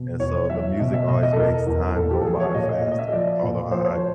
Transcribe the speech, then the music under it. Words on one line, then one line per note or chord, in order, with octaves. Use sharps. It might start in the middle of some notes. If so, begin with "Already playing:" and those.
and so, the music always makes time go by faster, although I
Already playing: B2
E2 C#5
F#3 E5
B2 D#5
E5
B2 D#5
D#5
A4
E2 A#4
E2
A#2 A4
G4
A4
F3 G#4
C#5
A#2 D#5
D#5
A#2
D#5
E5
F3 D5
A#2
F3 C5
C#5
C5